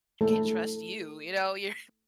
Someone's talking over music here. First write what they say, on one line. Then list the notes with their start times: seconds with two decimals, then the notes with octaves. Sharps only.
can't trust you." you know? You're
0.21 A3 A4